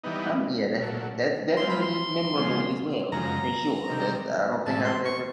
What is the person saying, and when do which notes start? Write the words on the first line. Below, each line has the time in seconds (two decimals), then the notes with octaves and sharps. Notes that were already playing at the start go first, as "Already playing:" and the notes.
I'm yeah, that's that's definitely memorable as well, for sure. That's I don't think I would ever
0.04 E3 G3 B3 D#4
0.80 A#2 F#3 A3
1.57 E3 G#3 C4 F4 C6
1.70 B5
1.82 C6
2.35 C#3 F3 G#3
3.12 F#2 C#3 F3 G#3 A#5
3.89 C3 D#3 G3
4.66 A2 E3 G#3 A5
4.85 C6
5.05 C#6